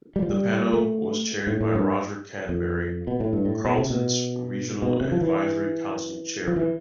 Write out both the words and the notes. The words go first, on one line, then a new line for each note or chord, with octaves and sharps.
The panel was chaired by Roger Cadbury, Carlton's regional advisory council chairman.
G3
F3
G3
A3
A2
A2
G2
F2
B2
A2
G2
A2
B2
C3
B2
B2
C3
F3
E3
F3
E3